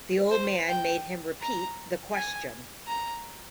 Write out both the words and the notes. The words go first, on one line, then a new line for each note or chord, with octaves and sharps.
The old man made him repeat the question.
C5
G5
A#5
G#5
A#5